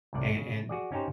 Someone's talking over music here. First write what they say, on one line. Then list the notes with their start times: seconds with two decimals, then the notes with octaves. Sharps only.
And and
0.13 C2 A2 D5
0.36 C#3
0.69 F#4 G#4 D5
0.92 C#4 D#4 G4 C5 C#5